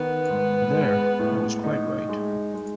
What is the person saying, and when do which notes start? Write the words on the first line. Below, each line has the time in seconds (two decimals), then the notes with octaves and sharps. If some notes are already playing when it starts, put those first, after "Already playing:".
There I was quite right.
Already playing: D#3 B3
0.30 G#2
0.74 G#3
1.19 A2
1.64 D#4
2.09 G#3
2.54 G#3